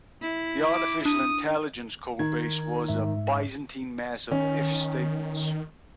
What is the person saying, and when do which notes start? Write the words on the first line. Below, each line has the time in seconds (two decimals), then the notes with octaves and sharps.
The artificial intelligence codebase was a byzantine mess of if statements.
0.21 E4
0.73 D6
1.05 D4 D#6
2.19 D#3 D#4 G#6
2.88 G#2 E5
4.31 D#3 C#4